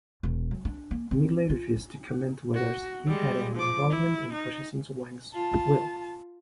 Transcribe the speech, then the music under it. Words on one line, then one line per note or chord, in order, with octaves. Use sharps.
Midgley refused to comment whether he had any involvement in processing Wang's will.
E1
F#3
D4
A#3
C4
F4
F#4
G3 G#3
F3 D6
E4
D#4
F4 A5